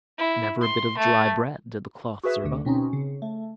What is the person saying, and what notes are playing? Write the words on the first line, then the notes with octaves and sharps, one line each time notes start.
But never a bit of dry bread did the cloth serve up.
E4
C6
A3
F#4 G#4 B4 E5
D2 D3
B2 C4 C#4 D#4
C#3
A3